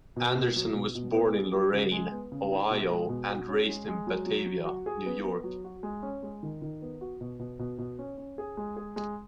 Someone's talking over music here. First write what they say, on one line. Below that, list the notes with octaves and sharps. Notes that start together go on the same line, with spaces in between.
Anderson was born in Lorain, Ohio and raised in Batavia, New York.
B2
B2
F#3
B2
B2
B3
G#4
F#3
C#3
G#3
B3
C#3
D#4
B2
G#3
B2
F#4
C#4
G#3
G#3
F#3
F#3
F#3
F#4
G#4
B3
B3
F#3
F#4
G#3
C#4
G#3
D#3
D#3
B3
F#4
B2
B2
B2
B2
C#4
C#4
G#4
G#3
G#4
G#3